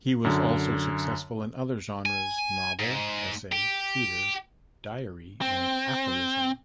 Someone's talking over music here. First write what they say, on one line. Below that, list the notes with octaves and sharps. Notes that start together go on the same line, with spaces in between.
He was also successful in other genres: novel, essay, theater, diary and aphorism.
F#2 D3
G#5
G#2
G4
C4